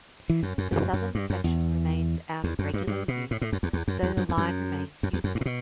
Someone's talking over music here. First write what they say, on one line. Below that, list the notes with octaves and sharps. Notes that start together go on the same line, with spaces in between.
The southern section remains out of regular use, though the line remains usable.
E3
F#2
F#2
F#2
F#2
G2
F#2
E2
E2
F#2
G2
G2
B2
A2
A2
F#2
E2
E2
F#2
E2
F#2
E2
F#2
F#2
E2
F#2
G2
A2
B2